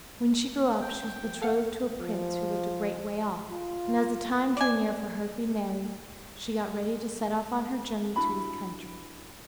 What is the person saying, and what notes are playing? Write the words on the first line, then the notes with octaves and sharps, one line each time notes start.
When she grew up, she was betrothed to a prince who lived a great way off; and as the time drew near for her to be married, she got ready to set off on her journey to his country.
G5
F3
A4 F5 F#5
F3
F4
D5 G#5
D4 E4 F#4 B5